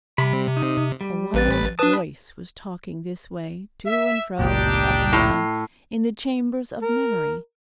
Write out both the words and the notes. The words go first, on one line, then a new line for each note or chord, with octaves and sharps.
A wild voice was talking this way, to-and-fro, and up and down, in the chambers of memory.
C3 G3 B5
D#4
G3
A1 B4 A6
D4 B4 A5 D#6
E5
G1 C#2 A#2 D4 D#4 G4
A2
A#4